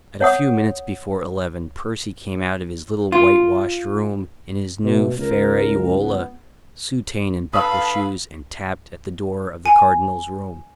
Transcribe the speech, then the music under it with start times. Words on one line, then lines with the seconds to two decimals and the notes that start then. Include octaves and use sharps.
At a few minutes before eleven Percy came out of his little white-washed room in his new ferraiuola, soutane and buckle shoes, and tapped at the door of the Cardinal's room.
0.21 C#5 F#5 D#6
3.12 F4
4.84 B2 A3
5.16 C#2 A#4
5.97 B3
7.53 D3 B4 F5 A5 B5 D#6 E6
9.66 G#5